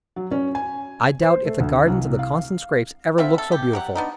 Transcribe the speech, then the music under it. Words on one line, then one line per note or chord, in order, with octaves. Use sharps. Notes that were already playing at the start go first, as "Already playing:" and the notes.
I doubt if the gardens of the Constant-Scrappes ever looked so beautiful.
F#3
C#4
G#5
C5
A3
D2
C2
F5
B3 C4 F4 E5
A4
G4
F#3 G4 F#5
B3 D4 D#4